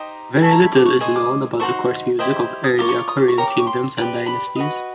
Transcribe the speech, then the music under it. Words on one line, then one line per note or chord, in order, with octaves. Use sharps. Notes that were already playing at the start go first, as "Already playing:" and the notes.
Very little is known about the court music of earlier Korean kingdoms and dynasties.
Already playing: D#4 G4 C5 D#5 A#5
E4 A4 C#5 A5
A#5
B5
D6
C#6
G#4 C5 D#5 C#6
D6
D#4 F#4 A4 C5 C#6
E4 G4 C5 D#5
D#6
F4 A#4 C#5 D6
C#6
D6
D#6
D6
C#6
G4 A#4 C#5 A#5
D6
C#6
C6
G4 B4 D5
B5
F#4 B4 D#5